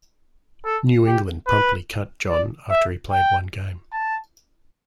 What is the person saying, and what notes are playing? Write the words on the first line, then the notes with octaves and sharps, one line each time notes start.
New England promptly cut John after he played one game.
A4
G4
B4
D5
E5
G5
A5